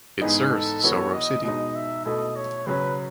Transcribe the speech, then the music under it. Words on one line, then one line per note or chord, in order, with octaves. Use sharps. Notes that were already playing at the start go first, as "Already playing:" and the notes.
It serves Soro city.
G#2 E3 B3 D#4 G#4
A4
E3 B3 F#4 A4 C#5
D#5
B2 G#3 D#4 D#5
E5
B2 A3 E4 A4 D#5
C#5
C#3 F#3 C#4 B4